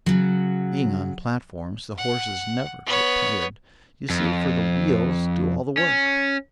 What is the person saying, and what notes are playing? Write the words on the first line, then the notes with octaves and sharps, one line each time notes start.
"Being on platforms, the horses never get tired, you see, for the wheels do all the work."
C#3 F#3
F#5
B3 C#5
F2
C#4